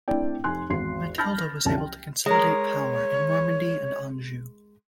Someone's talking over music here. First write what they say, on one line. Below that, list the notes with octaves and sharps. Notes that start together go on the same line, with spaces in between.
Matilda was able to consolidate power in Normandy and Anjou.
A3 C4 D4 E4 D5 G5
F1 D#4 G#5 C6 F#6
G#1 E2 F#4 C6 C7
A5 B5 F6 G6 A6 A#6
F#1 C2 F3 C#4 A5
G5
G#3 A#4 C#5